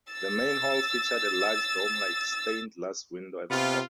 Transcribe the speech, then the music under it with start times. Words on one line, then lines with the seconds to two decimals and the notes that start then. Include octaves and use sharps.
The main hall featured a large dome-like stained glass window at the top.
0.13 E6 A6
3.50 C3 B3 F4